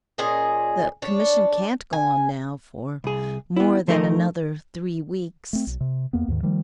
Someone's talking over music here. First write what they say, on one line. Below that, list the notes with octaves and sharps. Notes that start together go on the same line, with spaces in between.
The Commission can't go on now for more than another three weeks.
A#2 C#4 G#4 D#5
D4 C#5
G#5
C2 G#4
B3 E4
F3 A3 D#4 A#4 C#5 D#5
A3 C4
B1
C3
E2 A#3 B3
D#2 G#2 D#3
D#3 F3 G3 A3